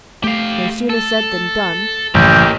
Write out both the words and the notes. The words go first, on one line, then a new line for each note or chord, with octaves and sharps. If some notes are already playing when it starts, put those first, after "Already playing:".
No sooner said than done.
A3 G4 F5
A4
A1 F#2 C#3 F3 A#3 G4 G6